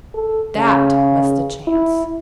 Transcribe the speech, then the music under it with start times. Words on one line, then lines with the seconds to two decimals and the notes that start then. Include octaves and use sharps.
THAT was the chance!
0.14 A4
0.56 C#3
1.67 E4